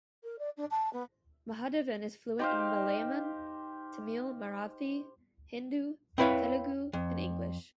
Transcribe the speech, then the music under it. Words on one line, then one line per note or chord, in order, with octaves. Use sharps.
Mahadevan is fluent in Malayalam, Tamil, Marathi, Hindi, Telugu and English.
A#4
D5
D4
A5
B3
D#4 G4 C5 F5
C4 E4 B4 C#5 F5
F2